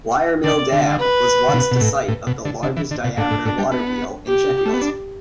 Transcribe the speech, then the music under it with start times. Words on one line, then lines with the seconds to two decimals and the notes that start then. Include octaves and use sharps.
Wiremill Dam was once the site of the largest diameter water-wheel in Sheffield.
0.44 D3 D5
0.72 D3
0.99 B4
1.49 D3
1.54 B2
1.71 B2
1.81 A2
2.08 A2
2.27 B2
2.45 D3
2.63 D3
2.77 E3
2.91 D3
3.04 B2
3.17 A2 D4
3.31 A2
3.45 A2
3.58 G3
3.72 B3
4.27 G4
4.66 A3
4.74 B3
4.82 D4